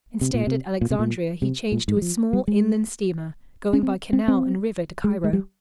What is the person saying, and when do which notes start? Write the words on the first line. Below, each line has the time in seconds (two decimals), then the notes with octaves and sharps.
Instead, at Alexandria he changed to a small inland steamer going by canal and river to Cairo.
0.21 C3
0.34 A#2
0.47 C3
0.81 A#2
0.90 C3
0.99 A#2
1.42 C3
1.72 A#2
1.88 G#2
1.97 G3
2.02 F3
2.33 G3
2.48 G#3
3.73 C#4
3.83 C4
4.13 C4
4.28 C4
5.04 G#3
5.24 G#3
5.33 G3